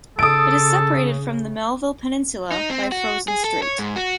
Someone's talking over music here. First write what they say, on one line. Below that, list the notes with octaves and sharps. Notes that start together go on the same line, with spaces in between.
It is separated from the Melville Peninsula by Frozen Strait.
C#3 A4 D#6 D7
D#4
C4
F#4
G#4
A4
C#5
G#2
F#4